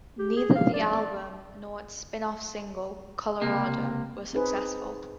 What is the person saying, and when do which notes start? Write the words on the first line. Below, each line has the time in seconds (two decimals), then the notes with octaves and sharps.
Neither the album nor its spin-off single "Colorado" were successful.
0.19 G4
0.36 G#4
0.55 F5
0.74 D5
3.41 C#2 C3 A#3
4.33 C4 D#4 G#4 B4 C5